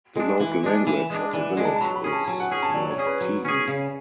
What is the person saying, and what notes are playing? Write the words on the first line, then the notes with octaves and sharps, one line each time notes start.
The local language of the village is Maithili.
G#3 D4
E3
G#3 D4
E3
G#3 D4
E3 D5
F#5
G#3 D4
A5
A5
F#3 B5
B5
C#4 G#4
A5
F#3 G#5
F#5
C#4 G#4 G#5
A5
F#3 D5
C#5
C#4 G#4
B4
F#3
C#4 G#4
C#3